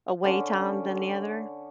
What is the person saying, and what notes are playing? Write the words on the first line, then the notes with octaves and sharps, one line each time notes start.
away time than the other?
D3 C#4